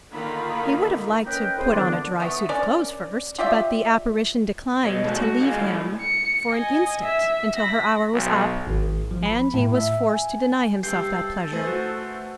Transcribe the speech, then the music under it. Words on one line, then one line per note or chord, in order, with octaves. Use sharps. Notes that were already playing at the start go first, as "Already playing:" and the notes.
He would have liked to put on a dry suit of clothes first, but the apparition declined to leave him for an instant until her hour was up, and he was forced to deny himself that pleasure.
D3 D#3 A#3 D#4 F4 B5
C#4 A#4 B4 D#5 G5
A3 C4 E4 G#4 B4 C5
A#2 D3 D#3 B3 D4
A3 B3
C#4 D4 A#4 D5
F4 G4 D5 E5
B2 F#3 D#5
G#3 A3 D#4 E4 F#4 A4
F#4
D#4 F4 G#4
A2 G3 A3 E4
C#7
D#5 G#5
E5
B5 A#6
B1
G#1
F3
B5
A2
E5
G#5
G2 C3 A4 G6 C7
A3 G#4 B4 C5
F#4